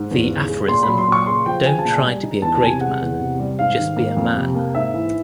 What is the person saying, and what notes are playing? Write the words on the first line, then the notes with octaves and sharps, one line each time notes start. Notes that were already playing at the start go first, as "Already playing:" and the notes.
The aphorism Don't try to be a great man, just be a man.
Already playing: G#2
E2
C#3
G#3
A#2 C6
B5
F#3
C6
A#2 C#6
C#3 C6
F3 G5
C#3 G#5
A5
A#2
G#5
G3
D#4
E2 A5
A5
C3 G#5
G#3 F#5
E2
C3
G3
G#2 F5
D#3
A#3
F2
C3
A#3
G#2 E5
E3